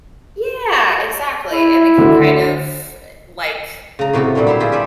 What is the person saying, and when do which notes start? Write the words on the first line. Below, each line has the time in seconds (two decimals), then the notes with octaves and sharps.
Yeah! Exactly, and it can kind of, uh, like,
1.52 E4
1.97 D2 D3
3.99 C#3 A#5
4.13 A2 C3 F#4 A4
4.35 A#2 D3 F#3 G3
4.47 E4 C#5 E5 G5 C6
4.60 C4 E4 F4 G4 G#4
4.72 G3 B4 D5 E5